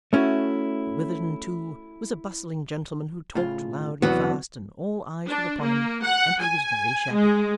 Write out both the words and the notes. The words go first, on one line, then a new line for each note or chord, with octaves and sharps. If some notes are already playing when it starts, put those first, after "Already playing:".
Mr Witherden too was a bustling gentleman who talked loud and fast, and all eyes were upon him, and he was very shabby.
A3 C#4 E4 F#4
A2 C#3 F4
E2 C3 F#3 B3 F#4
D4
A#3
F#5
G#5
G#3